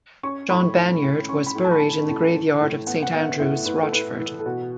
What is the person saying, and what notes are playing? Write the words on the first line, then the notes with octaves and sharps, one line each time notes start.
John Banyard was buried in the graveyard of Saint Andrew's, Rochford.
C#4 C#6
A2 B5
A2
A2
C#4 C#6
B5
A2
A5
B5
A3 A5
A2
E3
A2
B3 F#5
F#5
B3 E5
A2 E5
A2 B4
A4
A2 B4
E3
A4
B2 F#4